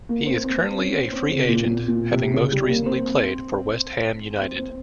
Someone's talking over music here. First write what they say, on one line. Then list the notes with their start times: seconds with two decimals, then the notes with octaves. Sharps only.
He is currently a free agent, having most recently played for West Ham United.
0.09 A#3
0.26 C4
0.44 C4
0.61 C4
0.79 C#4
0.96 C4
1.12 C4
1.31 C#3
1.48 A#2
1.65 A#2
1.88 A#2
2.11 C3
2.34 C#3
2.52 G3
2.69 A#3
2.86 C4
4.41 C4
4.58 C4